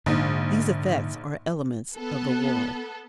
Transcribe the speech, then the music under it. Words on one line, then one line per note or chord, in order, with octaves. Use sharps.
These effects are elements of the world.
A#1 G#2 D3 D#4
B3 A4